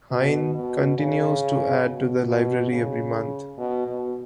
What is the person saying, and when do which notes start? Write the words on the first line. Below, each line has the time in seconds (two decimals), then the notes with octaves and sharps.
Hein continues to add to the library every month.
0.11 B2
0.55 B2
0.98 C#3
1.84 B2
2.28 B2
2.72 C#3
3.58 B2
3.88 B2